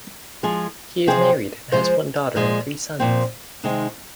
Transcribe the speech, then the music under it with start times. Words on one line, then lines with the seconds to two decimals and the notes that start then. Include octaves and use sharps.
He is married and has one daughter and three sons.
0.43 F3 G#3 F4 G#4
1.07 C3 F3 C4 G#4 C5
1.72 F3 G#3 F4 C5
2.35 A#2 F3 G#3
3.00 A#2 F3 C4
3.64 C3 D#3 G#3 D#4